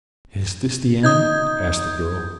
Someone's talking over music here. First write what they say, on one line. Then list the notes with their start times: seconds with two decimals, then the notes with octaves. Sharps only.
"Is this the end?" asked the girl.
1.03 D#4 D#6 G6 G#6